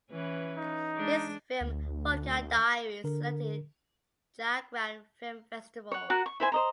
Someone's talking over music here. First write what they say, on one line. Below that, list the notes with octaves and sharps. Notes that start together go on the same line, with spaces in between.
His film Vodka Diaries selected in Jagran Film Festival.
E3 C#4 B4
D#4
G#3 D4
D2
D3 A#4
C#5 F#5
F#4 A#4 F#5
C#6
E4 C5 G#5
C5 D#5 A#5